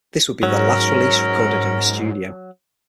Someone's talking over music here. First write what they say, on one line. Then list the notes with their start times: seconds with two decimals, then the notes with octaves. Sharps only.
This would be their last release recorded in a studio.
0.43 G#2 F#3 C#4 A#4